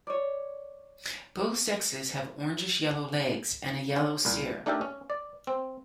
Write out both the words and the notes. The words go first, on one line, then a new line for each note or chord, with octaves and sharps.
Both sexes have orangish-yellow legs and a yellow cere.
C#5 D5
C#4
C2 A#2
A3 D4 D#4 G4 A4 A#4
C#4
D5
C4